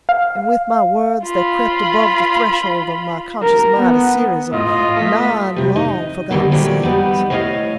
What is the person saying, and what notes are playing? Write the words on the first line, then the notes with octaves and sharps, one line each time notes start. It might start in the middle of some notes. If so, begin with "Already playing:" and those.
And with my words there crept above the threshold of my conscious mind a series of nine long forgotten sounds.
F5
F4 B5
A#4
B3
A2 F4 D#5
A3 B6
C3 G3
D#4 D#5
D3 F#3 G3 A#3 B3
A#2 F#3 G3 A3 D5
G3 B3 D#4 B4
A2 A3 B3 C#5 D#5 F5